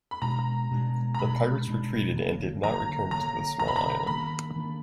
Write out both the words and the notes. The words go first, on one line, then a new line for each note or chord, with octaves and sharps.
The pirates retreated and did not return to the small island.
B5
B2 G#3 D4 A#5
B2 G#3 D4
A#5
B2 G#3 D4 B5
B2 G#3 D4
D3 F#3 A#3
D3 F#3 A#3 A#5
D3 F#3 A#3 A#5
D3 F#3 A#3 A#5
B5
A#5
D#3 A#3 D4 B5
D#3 A#3 D4